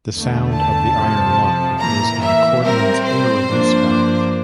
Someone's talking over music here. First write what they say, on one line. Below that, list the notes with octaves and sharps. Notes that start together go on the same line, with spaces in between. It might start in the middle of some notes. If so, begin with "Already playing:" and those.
The sound of the iron lung is an accordion's air release valve.
E2 D3 A3
A5
F2 C3 F3
A2 E3 A#3 A#5
E5
A2 G3 C4 A#4
C5
G2 F3 A#3 D4